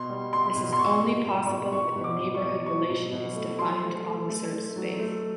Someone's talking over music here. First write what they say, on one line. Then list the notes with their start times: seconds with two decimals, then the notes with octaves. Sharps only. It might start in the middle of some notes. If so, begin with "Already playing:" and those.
This is only possible if a neighborhood relation is defined on the search space.
Already playing: B2 C6
0.10 G3
0.33 G3 C6
0.56 B2
0.73 C6
0.79 B2 C#6
1.02 G3
1.26 B2
1.49 B2
1.72 B2 C#6
1.96 B2
2.04 D6
2.19 B2
2.35 C#6
2.43 B2
2.66 F#3 C#6
2.89 B2
3.12 B2
3.35 A3
3.59 F#3 C6
3.82 A3
4.06 A3
4.29 A3
4.52 A3
4.76 F#3
4.99 A3